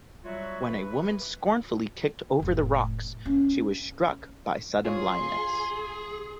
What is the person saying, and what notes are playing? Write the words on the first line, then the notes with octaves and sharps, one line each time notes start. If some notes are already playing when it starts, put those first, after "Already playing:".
When a woman scornfully kicked over the rocks she was struck by sudden blindness.
F#3 G3 F4 F#4 C#5 E5
B4
F1 A2
A#3 C#4
F4 G#4 C#5 C6